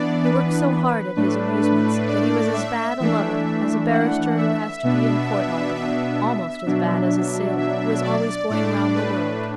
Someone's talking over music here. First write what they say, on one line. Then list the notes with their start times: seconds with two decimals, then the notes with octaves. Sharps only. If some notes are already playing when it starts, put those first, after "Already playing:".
He worked so hard at his amusements that he was as bad a lover as a barrister who has to be in Court all day,--almost as bad as a sailor who is always going round the world.
Already playing: E3 B3 D4 D5
0.25 B4
1.16 A2 A3 D4 B4
1.62 B4
2.07 D5
2.54 E5
3.00 E3 A3 D4 E5
3.46 E5
3.92 F#5
4.37 E5
4.83 B2 B3 D4
5.75 E5
6.66 B2 F#3 D4
7.58 E5
8.04 D5
8.49 A2 A3 D4 D5
8.95 B4